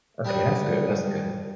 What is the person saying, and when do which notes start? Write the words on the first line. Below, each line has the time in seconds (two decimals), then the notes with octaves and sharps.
Okay. That's good, that's good.
0.25 G3 D4 D#6